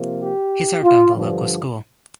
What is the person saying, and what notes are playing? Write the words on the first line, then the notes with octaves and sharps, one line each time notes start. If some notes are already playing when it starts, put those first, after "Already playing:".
He served on the local school.
Already playing: C3 F3 A#3
G4
F4
G2 D3 F3